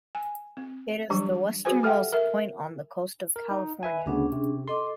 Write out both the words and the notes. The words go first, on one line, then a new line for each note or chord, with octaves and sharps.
It is the westernmost point on the coast of California.
G#5
C4
E3 F#3 G3 D4 G4
F#4 G#4 B4 C5 G#5
G4 A4 E5 F#5 G5
A#4 E5
A#4
D#4
B4 E5 G#5
D2 C#3 B3 C#4 D4 G#4
C3
A4 D#5 C6 D6